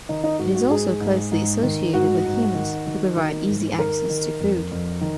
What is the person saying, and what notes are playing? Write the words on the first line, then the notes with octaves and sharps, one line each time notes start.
It is also closely associated with humans, who provide easy access to food.
D#3 D#4
D#4
G#2 F#4
F#4
G#2 G#4
G#2
G#2
D#3
G#2 F#4
G#2
D#3
D#3
D#3
G#2
D#3 A#4
D#3
F2
F2
D#3